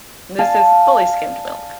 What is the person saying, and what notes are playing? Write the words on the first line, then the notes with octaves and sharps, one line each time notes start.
This is fully skimmed milk.
D5 F5 G#5 A5